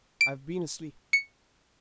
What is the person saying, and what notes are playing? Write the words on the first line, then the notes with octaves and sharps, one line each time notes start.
"I've been asleep."
D7
C#7